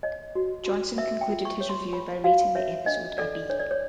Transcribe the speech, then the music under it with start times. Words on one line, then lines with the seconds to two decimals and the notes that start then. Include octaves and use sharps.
Johnson concluded his review by rating the episode a "B".
0.03 C#5 D#5
0.35 F#4
0.66 F#4
0.98 A#4 E5
1.21 G5
1.29 F4
1.45 C#6
1.61 C#5
1.69 C6
1.93 C#5 B5
2.24 F#4 F5
2.55 C#5 E5
2.86 D4 D#5
3.18 A4 D5
3.49 D4 C#5
3.60 D5
3.71 C#5